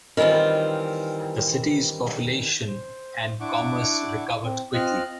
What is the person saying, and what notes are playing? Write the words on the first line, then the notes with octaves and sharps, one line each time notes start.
The city's population and commerce recovered quickly.
D#3 E3 G3 C4 F4
C5
D4 E4 F#5 C#6 D6
C4
C4 F4 D#5 F6 F#6